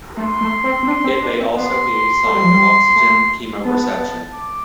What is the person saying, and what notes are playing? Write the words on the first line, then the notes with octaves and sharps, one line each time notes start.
It may also be a site of oxygen chemoreception.
A3 C6
A3
C4
C4
D4
C4
D4
C4
B3 C6
A3
G3
F3
G3
A3
B3 A5
D6